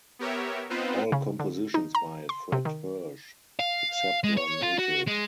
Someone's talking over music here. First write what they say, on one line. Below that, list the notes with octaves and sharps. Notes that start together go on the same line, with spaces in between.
All compositions by Fred Hersch except where noted.
B3 G4 A#4 C#5 E5
B3 C4 D#4 F4 B4 C5
C#3
D3
D#4
A#5
C6
C3
D#3
F5
G#3
C#5
F4
F#4
G#3